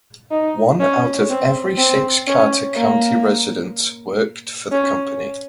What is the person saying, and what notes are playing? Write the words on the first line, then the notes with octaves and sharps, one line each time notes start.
One out of every six Carter County residents worked for the company.
D#4
C#4
C4
C4
C#4
A#3
C#4